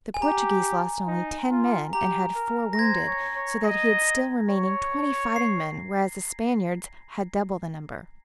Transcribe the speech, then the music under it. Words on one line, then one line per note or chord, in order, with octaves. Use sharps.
The Portuguese lost only ten men, and had four wounded; so that he had still remaining twenty fighting men, whereas the Spaniards had double the number.
G#5
G4 A#5
D#4
F4
G4 A#5
A#4
A#6
C5 G#6
C#5
C#5
D#5
C#5
C7